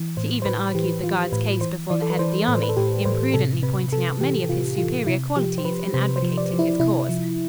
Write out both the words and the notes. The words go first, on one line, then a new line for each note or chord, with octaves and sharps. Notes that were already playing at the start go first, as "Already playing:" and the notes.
She even argued the guard's case before the head of the army, imprudently pointing out many of his superior qualities in advocating his cause.
Already playing: E3
A2 C5
C5
A2 B4
E3 G4
E3 F4
A2 B4
E3 C5
E3 D5
A4
B4
E3 C5
A2 B4
C5
B4
A4
A2 G4
A2 C5
C3 A4
C3 B4
C3 A4
E3 G4
C3 F4
E3 F4
C3 E4
F3 G4
C5
F3 B4
C3 C5
C5
F3
D5
F3
E4
C3 E4
F3